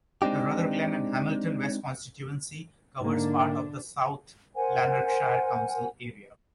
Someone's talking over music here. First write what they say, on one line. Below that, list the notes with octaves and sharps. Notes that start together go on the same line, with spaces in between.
The Rutherglen and Hamilton West constituency covers part of the South Lanarkshire council area.
G#3 C4 D4 D#4 G4
G#2 D3 A#3 D4
A#4 C5 F#5 G#5